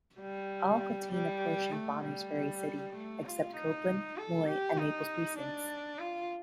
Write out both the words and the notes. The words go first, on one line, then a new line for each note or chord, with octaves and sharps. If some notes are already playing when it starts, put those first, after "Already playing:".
All contain a portion of Bonners Ferry City except Copeland, Moyie, and Naples precincts.
G3
G3
A3
G3
A3
F4
D#4
A4
G4
D#4
D4
F4